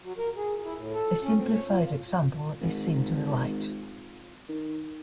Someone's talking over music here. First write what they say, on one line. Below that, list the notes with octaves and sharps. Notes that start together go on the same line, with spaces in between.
A simplified example is seen to the right.
F#3
A#4
G#4
E4
A2
A4
C#4
C4
C#5
F4
G#1
D#3